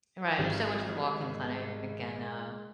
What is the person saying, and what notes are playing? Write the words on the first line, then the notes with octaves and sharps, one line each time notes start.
And, right, and so I went to the walk-in clinic and, uh
G#1 G3 G#3